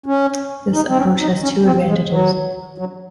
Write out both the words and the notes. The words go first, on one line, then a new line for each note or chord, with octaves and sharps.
This approach has two advantages.
C#4
D#4
C4
C#4
D#4
C#4
C4
G#3
F#3
F#3